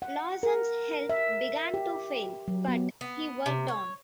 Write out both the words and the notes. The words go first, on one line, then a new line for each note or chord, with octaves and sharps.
Lawson's health began to fail, but he worked on.
F#5
A#4
E5
G4
F#3
B3
B3
C3
C#5